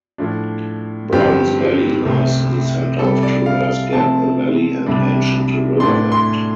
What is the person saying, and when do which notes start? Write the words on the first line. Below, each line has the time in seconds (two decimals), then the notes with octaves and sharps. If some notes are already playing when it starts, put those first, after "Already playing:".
Browns Valley Lies in the center of Traverse Gap, a valley and ancient riverbed.
0.18 A2 F3 D4
1.12 G2 D3 F3 C4 G4
2.06 C2 C3 A3 C4
2.99 C2 C3 G3 A4
3.23 D5
3.46 F5
3.93 C3 F3 A3 C4 A5
4.86 C2 C3 G3 D4
5.80 A2 A3 D4 C6
6.12 C6